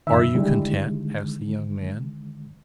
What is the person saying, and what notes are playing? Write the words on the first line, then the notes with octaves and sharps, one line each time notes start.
"Are you content?" asked the young man.
F#2 C3 D#3 E5
D3 D#3 G3 G#3 E4